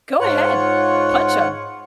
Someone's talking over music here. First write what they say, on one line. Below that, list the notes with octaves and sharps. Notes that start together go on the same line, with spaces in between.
go ahead, punch him,
G#2 F4 C#5 F#5